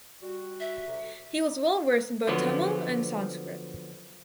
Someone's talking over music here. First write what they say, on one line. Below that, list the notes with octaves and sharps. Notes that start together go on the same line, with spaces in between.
He was well versed in both Tamil and Sanskrit.
G3 F#4
E5
D2 C3
D3 F3 F#3 B3